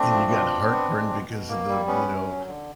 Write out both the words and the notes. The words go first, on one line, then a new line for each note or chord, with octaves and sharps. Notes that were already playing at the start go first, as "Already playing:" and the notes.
And you got heartburn because of the, you know,
Already playing: A3 C4 D4
F3
B2
B2
B3
G#3
B2
B2
A#3
G3
B3 C#4
F#2
F#3
D3